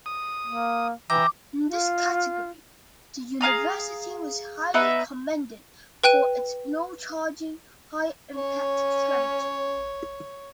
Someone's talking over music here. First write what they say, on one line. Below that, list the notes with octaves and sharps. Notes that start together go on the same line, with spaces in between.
In this category, the university was highly commended for its "low-charging, high impact" strategy.
D#6
A#3
E3 E5 G5 A#5 D6
F4
G#4 F5 A#5 D#6
B3 D#4 B4 E5
B4 G5 F#6 D#7
C#4 C#5